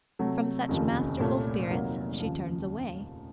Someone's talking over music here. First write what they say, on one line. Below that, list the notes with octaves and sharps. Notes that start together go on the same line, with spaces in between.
From such masterful spirits she turns away.
C3 F#3 A3
F1 D#2 C#3 F3
C2 A#2 A3 C#4
F1 F2 D#3 F#3 A#3
D#2 C#3 F3